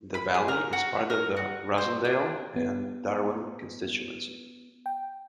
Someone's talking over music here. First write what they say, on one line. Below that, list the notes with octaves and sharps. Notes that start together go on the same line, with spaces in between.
The Valley is part of the Rossendale and Darwen constituency.
B5
G#4
A#4
F#4
A#4
F#4
C5
D4
B3
G5